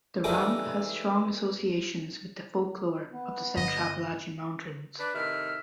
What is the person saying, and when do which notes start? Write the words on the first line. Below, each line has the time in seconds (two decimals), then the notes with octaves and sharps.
The ramp has strong associations with the folklore of the central Appalachian Mountains.
0.24 E3 G3 A3 D#4 G#4 A#4
3.13 B3
3.56 G2 D3 D#5
4.99 D4 B4
5.14 A2 C3 D#3 E5 F6